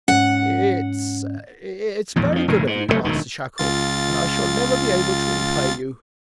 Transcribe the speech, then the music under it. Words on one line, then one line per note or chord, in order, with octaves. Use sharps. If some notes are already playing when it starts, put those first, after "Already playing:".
"It's--it's very good of you, Master Shackle, and I shall never be able to repay you."
G#2 C#4 F#5
A#1 E2 A2
F2 F3
F1 A2 D3
G#2
F#1 G2 B2 A3
E1 D2 D#3
C#2 F4 A6